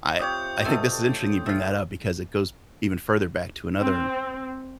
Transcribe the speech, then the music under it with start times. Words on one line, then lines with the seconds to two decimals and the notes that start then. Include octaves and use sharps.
I I think this is interesting you bring that up, because it goes even further back to another
0.20 C3 F4 G4 C#5 G5 D#6 G6
0.64 B2 A3 A4 G#5 C6
1.46 A3 F4
3.81 C4